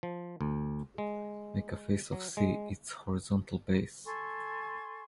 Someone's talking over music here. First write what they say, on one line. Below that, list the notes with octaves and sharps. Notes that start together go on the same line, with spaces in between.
Make a face of "C" its horizontal base.
F3
D2
G#3
F#3
G#3
A4 G#5 C6 C#6